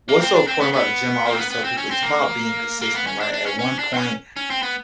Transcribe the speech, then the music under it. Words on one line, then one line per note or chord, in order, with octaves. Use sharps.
what's so important about the gym, I always tell people, it's about being consistent, right? At one point,
A#3
C4
D4
C4
B3
B3
A#3
C4
B3
B3
C4
C#4
C4
A#3
A#3
B3
C#4
D4
D4
C#4
C#4
D4
C4
C#4
C#4
C4
B3